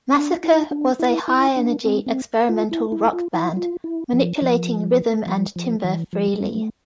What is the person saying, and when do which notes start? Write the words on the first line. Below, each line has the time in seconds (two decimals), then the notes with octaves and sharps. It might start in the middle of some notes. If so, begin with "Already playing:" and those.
Massacre was a high-energy experimental rock band, manipulating rhythm and timbre freely.
0.15 D4
0.44 E4
0.71 D4
0.99 E4
1.28 E4
1.56 D4
1.85 C4
2.06 C4
2.49 F4
2.71 E4
2.92 E4
3.13 F4
3.34 E4
3.57 F4
3.84 E4
4.13 F3
4.42 F3
5.26 F3
5.56 F3
5.84 E3
6.13 F3
6.34 G3
6.55 A3